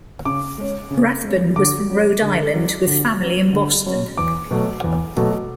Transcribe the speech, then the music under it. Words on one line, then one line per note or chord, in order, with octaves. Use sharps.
Rathbun was from Rhode Island with family in Boston.
C#3 D6
G#3 C#4
C#3
G#3 C#4
D3 D6
F#3 C#4
D3
F#3 C#4
D3
F#3 C#4
D3
F#3 C#4
E2 D6
B2 F#3 A3
E2
B2 F#3 A3